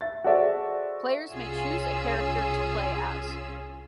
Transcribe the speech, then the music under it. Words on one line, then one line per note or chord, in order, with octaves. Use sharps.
Players may choose a character to play as.
E5 A6
F#4 G#4 A4 C5 D5 E5
C2 C#4 F4 G#4 E6